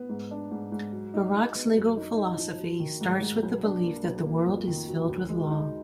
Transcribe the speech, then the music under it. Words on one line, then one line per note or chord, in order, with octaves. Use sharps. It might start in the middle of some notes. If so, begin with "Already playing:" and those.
Barak's legal philosophy starts with the belief that "the world is filled with law".
Already playing: B3
G#2
D4
G#2
G#2
F#3
D#4
D#4
B3
F#2
D#4
D#4
F3
F#3
D#3
G#2
G#2
B1
D4
A#3
B1
A#3
F2
D#3
F#3
D2
G#3
D#4